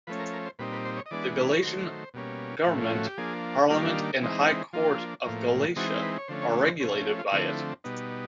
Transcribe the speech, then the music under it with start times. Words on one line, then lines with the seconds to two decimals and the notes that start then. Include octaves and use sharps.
The Galician Government, Parliament and High Court of Galicia are regulated by it.
0.07 F3 A3 C#4 B4
0.19 A#4
0.33 A#4
0.46 C5
0.59 A#2 G3 C4 D#4 B4
0.72 B4
0.85 C5
0.97 C#5
1.06 D#5
1.11 E3 G#3 B3 D4 D5
1.52 C#5
1.63 D#3 F#3 A3 C5
2.14 B2 G3 A#3 C#4
2.66 A2 F3 A3 C#4
2.81 F4
2.94 F#4
3.06 G4
3.18 F3 A#3 D4 G#4
3.70 D#3 G3 A#3 D4 F4
4.21 E3 G#3 C4 D#4
4.73 F3 A#3 D4 F4
5.25 A2 F3 A#3
5.76 E3 G#3 C4 D#4 F#4
6.03 B4
6.18 C#5
6.28 D3 F3 A3 C#4 C5
6.42 C#5
6.67 C5
6.80 F3 A3 C#4 C5
7.07 F#4
7.19 F4
7.31 D3 F3 A3 C4 E4
7.84 B2 G3 B3 D#4